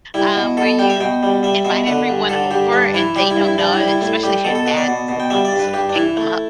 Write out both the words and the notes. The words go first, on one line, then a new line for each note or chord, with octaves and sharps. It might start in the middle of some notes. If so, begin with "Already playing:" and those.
um, where you invite everyone over and they don't know, and especially if your dad is the one to sort of pick them up,
G3 E4
B2
B2 A4
G3 G5
E5
B2 G5
G3
G3 E5
B2 E5
D3 B4
G2
D3 A4
G2 G4
G2 D4
E3 E4
G3 G4
E4
G2
E4
G3 D4
E4
G3
E4
A2 E4
G3 G4
B2 A4
A4
B2 B4
D5
B2
B2
G5
G3 E5
D5
G2
B4
G2 G4
D4
E3 E4
A3